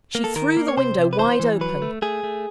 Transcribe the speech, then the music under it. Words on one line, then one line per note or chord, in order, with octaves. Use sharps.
She threw the window wide open.
A#3
A4
D#3 A#4
A#3
C#5
C3 C5
C3
B4
E3 C5
E3
F#3 B4
A3
A3 G#4
A3